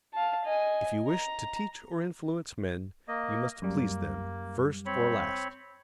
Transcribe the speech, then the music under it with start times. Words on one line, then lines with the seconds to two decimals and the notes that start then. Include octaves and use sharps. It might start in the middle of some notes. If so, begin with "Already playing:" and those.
If you wish to teach or influence men, you must please them, first or last.
0.14 F5 A5
0.45 D#5 G#5
1.08 A#5
3.08 A#3 D#5
3.62 F#2 G3 A#3
4.86 C4 C#5 B5